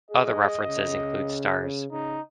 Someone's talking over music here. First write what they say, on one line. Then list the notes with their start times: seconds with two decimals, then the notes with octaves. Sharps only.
Other references include stars.
0.11 G#4 D#5
0.69 C#3
1.92 C#3 D#4